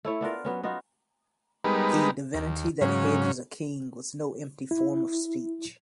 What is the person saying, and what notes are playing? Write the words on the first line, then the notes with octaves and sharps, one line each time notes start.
The divinity that hedges a king was no empty form of speech.
A3 E4 C#5
B3 D4 F4 A#4
F#3 B3 C#4
B3 D#4 F4 F#4
G3 G#3 B3 D#4 A#4 B4
D#2
G#2 C#3 F#3 C#4
E4